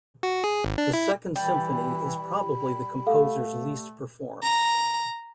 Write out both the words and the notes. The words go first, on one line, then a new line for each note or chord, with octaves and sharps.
The Second Symphony is probably the composer's least performed.
F#4
G#4
G#1
D4
E4
E3 G3 B5
A3 A4 F5 F#5
A#5